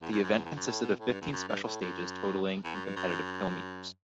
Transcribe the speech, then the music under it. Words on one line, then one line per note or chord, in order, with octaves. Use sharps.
The event consisted of fifteen special stages totalling in competitive kilometres.
E2
F#2
F#2
E2
E2
F#2
A2
B2
A2
G2
E2
F#2
G2
A2
F#2
E2
F#2
G2
F#2